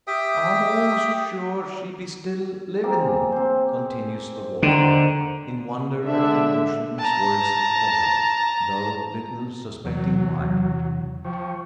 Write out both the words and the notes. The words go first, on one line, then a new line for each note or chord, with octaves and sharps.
"I'm almost sure she be still livin'," continues the waterman, in wonder at the emotion his words have called up, though little suspecting why.
G4 E5 G5 D#6
A#3 C4 G#4
C4 C5
D3 D#3 C5
D3 G#3 D4 E5
A5 A#5
E2 C3 E3 F#3
F3 G5 C#6